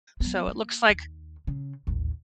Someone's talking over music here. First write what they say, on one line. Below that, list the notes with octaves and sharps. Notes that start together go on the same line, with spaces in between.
so, it looks like
F#3 B3
A#3
D#2
C#3
A1 D#2